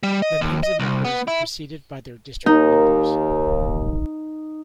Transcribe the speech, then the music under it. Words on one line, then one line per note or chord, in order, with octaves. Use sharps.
The names of members are preceded by their district numbers.
G3
D#5
D#2
D#5
C2
B3
E4
D#2 D#4 A#4